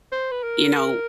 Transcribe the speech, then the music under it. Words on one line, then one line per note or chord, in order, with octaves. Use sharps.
you know
C5
B4
A#4
A#4